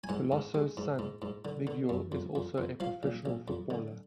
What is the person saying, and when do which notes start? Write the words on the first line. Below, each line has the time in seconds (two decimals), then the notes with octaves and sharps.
Veloso's son, Miguel, is also a professional footballer.
0.04 G#5
0.09 G#2 F#5
0.32 G#2
0.55 G#3
0.77 G#2
0.99 G#2
1.22 G#2
1.45 D3
1.67 D3
1.89 F#2
2.12 F2
2.35 F2
2.58 F2
2.80 F3 F5
3.03 A#1
3.26 A#1
3.48 F2
3.70 D3